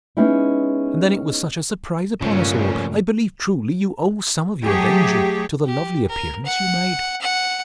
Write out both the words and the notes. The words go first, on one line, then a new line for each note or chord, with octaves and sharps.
And then it was such a surprise upon us all!--I believe truly, you owe some of your danger to the lovely appearance you made.
G#3 B3 C#4 D#4 E4
G2 A#2 C#3 F3 A3 C#4
F#3 A3 G4 G#4
G4
A#4
F#5
F#5